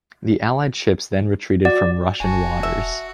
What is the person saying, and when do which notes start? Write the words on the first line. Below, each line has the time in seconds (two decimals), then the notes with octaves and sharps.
The allied ships then retreated from Russian waters.
1.65 F#4 D5
2.20 E1 F#4 G#5 A5
2.63 E5